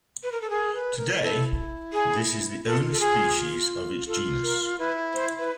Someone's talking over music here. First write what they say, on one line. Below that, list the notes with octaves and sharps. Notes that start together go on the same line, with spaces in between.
Today, this is the only species of its genus.
B4
A#4
A4
G#4 A#4
B4
A#4
E4 A4
G#4
F4 A4
A4
G#4
F4 A4
A#4
E4 B4
C5
B4